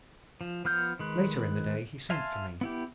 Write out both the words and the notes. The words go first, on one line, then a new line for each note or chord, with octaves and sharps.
Later in the day he sent for me.
F3
F3 B3 F6 G6
D#3 G#3 B4
E5 F5 G#5 A5 C6
B3 E4 G4